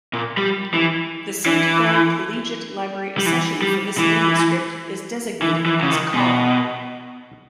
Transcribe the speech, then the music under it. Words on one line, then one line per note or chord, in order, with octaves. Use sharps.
The Saint Gall Collegiate Library Accession for this manuscript is designated as Cod.
A#2
G3
E3
E3
G3
E3
G3
E3
E3
E3
C#3
D#3
B2